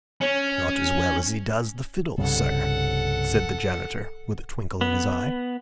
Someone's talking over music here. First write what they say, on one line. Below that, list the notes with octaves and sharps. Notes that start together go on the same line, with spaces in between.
"Not as well as he does the fiddle, sir," said the Janitor, with a twinkle in his eye.
C#4
C2 G2 C#3 A4 F#5
B3